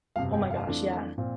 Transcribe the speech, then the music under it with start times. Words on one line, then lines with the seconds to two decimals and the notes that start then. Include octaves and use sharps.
Oh my gosh. Yeah.
0.16 G1 F2 C3 F5
0.33 G5
0.50 F5
0.67 F2 E3 A3 D4 F4
1.18 A#2 F3 C4 F4